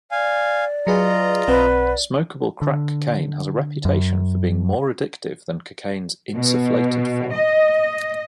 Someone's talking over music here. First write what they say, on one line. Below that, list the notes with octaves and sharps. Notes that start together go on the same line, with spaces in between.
Smokeable crack cocaine has a reputation for being more addictive than cocaine's insufflated form.
D5 F5 G#5
F#3 F4 G#4 B4 D#5 A#5
B1 C4 B4 F#5
D3
F#2
B2
D#5